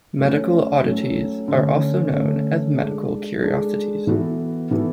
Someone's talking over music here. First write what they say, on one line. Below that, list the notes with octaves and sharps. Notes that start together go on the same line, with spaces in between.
Medical oddities are also known as "medical curiosities".
F#3 A3 C#4
F#3 A3 C#4
D3 A3 C#4
D3 A3 C#4
G#3 D4 A4
G#3 D4 A4
E3 B3 F#4 A4
E3 B3 F#4 A4